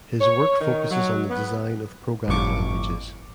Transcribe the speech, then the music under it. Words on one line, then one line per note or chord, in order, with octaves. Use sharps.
His work focuses on the design of programming languages.
C#5
D#3
F#3
B3
G1 F2 A2 C#6 D6